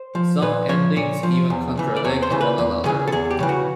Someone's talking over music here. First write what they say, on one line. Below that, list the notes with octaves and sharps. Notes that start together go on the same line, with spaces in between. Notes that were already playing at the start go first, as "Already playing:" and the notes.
Some endings even contradict one another.
Already playing: C5
F3
A#2 B4
F3 C#5
A#2 C#5
F3
E2
C#3 E3
D5
E2 C#5
C5
C#3 E3
B4
E2
C#3 E3 G#4
A4
E2 G#4
G4
C#3 E3
F#4